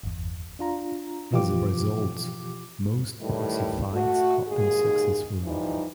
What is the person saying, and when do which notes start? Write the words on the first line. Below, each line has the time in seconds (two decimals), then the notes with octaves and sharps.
As a result, most proxy fights are unsuccessful.
0.03 G1 E2
0.59 D4 F4 A#5
1.31 B2 E3 F3 F4 G4 D6
3.20 A2 D#3 E3 G3 A3
3.93 A3 F#4
4.47 D#2 G#2 G#4
5.44 E3 F3 G3 D#4